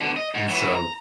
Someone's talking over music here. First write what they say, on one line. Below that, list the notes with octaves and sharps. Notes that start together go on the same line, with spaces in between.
comedy. And so
B2 D3
D#5
G#2
E3 F#3
A#5